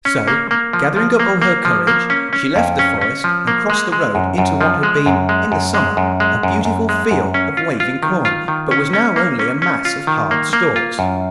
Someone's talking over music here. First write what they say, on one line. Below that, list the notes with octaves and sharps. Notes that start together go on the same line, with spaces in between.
So, gathering up all her courage, she left the forest and crossed the road into what had been, in the summer, a beautiful field of waving corn, but was now only a mass of hard stalks.
C#4
A#3
A#3
F3
F3
A#3
A#3
F3
A#3
C#4
C#4
F2
C#4
C#4
F3
A#3
G#3
G#3
F#2
F#2
F3
G#3
F#2
G#3
F#2
G#3
F#2
G#3
F#2
F#2
G#3
F#2
C#4
F4
F4
D#3
F4
D#3
C#4
C#4
A#3
C#4
C#4
F4
D#3
A#3
A#3
F4
F#2